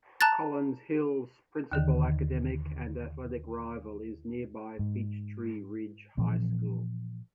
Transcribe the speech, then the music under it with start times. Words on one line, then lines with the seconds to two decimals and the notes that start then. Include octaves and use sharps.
Collins Hill's principal academic and athletic rival is nearby Peachtree Ridge High School.
0.21 A5 A#5 F#6 A6
1.72 D#2 D3 D#3
4.79 G#2
6.17 A#2 E3 F3 C4